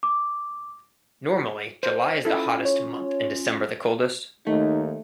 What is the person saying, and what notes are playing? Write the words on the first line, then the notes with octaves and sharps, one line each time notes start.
Normally July is the hottest month and December the coldest.
D6
C5
C#4 E4 F4 A4
C#5
D#2 A3 D#4